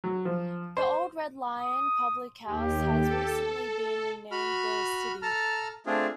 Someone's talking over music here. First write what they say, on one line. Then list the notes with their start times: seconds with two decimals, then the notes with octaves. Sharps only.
The old "Red Lion" public house has recently been renamed "The Stiddy".
0.04 F#3
0.25 F3
0.77 C5
1.57 D#6
2.46 D#2 G4
3.00 A4
4.31 F#4 B5 F6
5.22 A4 A5 A#5 F6
5.86 A3 C4 D4 F4 G#4